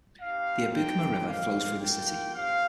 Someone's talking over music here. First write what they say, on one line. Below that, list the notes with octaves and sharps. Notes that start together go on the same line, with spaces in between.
The Abukuma River flows through the city.
C4 D#4 G4 F5
G5
A#3 F4 F5
G5
C4 G4 F5